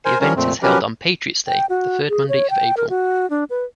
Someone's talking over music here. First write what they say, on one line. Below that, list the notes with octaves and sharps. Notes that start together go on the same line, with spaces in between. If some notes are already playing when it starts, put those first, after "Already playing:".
The event is held on Patriots Day, the third Monday of April.
A#4 C5 G#5
F3 G3 C#4 A#4 C#5
F2 A#2 A3 C4
F3 F#3 C#4 G4 A#4 B4
G5
F#4
G#4
C#5
G5
A#4
F#4
D4
B4